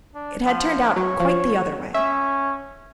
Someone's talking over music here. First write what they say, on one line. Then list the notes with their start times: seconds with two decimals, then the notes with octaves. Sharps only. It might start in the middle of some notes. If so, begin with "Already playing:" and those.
It had turned out quite the other way.
0.14 D4
0.45 F3
0.96 F#3 C#5
1.20 F3
1.94 C#4 E5